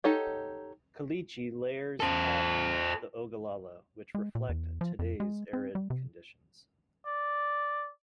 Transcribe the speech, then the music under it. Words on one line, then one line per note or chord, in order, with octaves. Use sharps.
Caliche layers cap the Ogallala, which reflect today's arid conditions.
D#4 G4 A4 C#5 F#5
A4 C5
G#3
A#2
E2
F3
F2
G#3
C4
G3
C3
D5